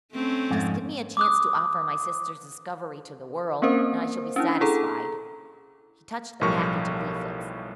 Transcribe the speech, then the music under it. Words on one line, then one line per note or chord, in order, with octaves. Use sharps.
"Just give me a chance to offer my sister's discovery to the world, and I shall be satisfied!" He touched the package of leaflets.
A3 C4 C#4
F2 G#2
D6 D#6 F#6
A#3 C4 C#4 A#4 C5
C#4 D4 E4
E4 G#4 A4 A#5
B1 A2 F3 G3 A#4 C#6